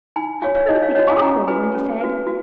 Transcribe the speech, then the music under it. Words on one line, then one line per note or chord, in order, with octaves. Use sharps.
"How perfectly awful," Wendy said.
D#4 G#5 B5
F#4 C#5 F5 G#5
C#5 F5
D#4 D#5
C#5 F5
F#4 C#5 D#5 F#5
F5 G#5
C#4 F#5 A#5
F#4 B4 G#5 B5
C#4
F#4 B4
F#4